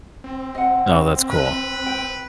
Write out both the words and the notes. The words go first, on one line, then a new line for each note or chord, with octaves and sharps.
Oh, that's cool.
C4
D#5 F#5
B4
G5